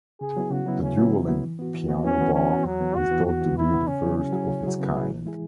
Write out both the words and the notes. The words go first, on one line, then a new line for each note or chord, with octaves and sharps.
The dueling piano bar is thought to be the first of its kind.
C#3 G#4
F#3 B3 E4
C#3 F#4
F#3 B3 E4
C#3 C#4
F#3 B3 E4
C#3
F#3 B3 E4
E3
B3 F#4
E3
B3 F#4
E3 C#4
B3 F#4
E3 C#4
B3 F#4
E2 F#3
E3 B3
E2 F#4
E3 B3
E2 F#4
E3 B3
E2 E4
E3 B3
C#3 C#4
F#3 E4 G#4
C#3 C#4
F#3 E4 G#4
C#3
F#3 E4 G#4
C#3 B3
F#3 E4 G#4
E3
G#3 E4 G#4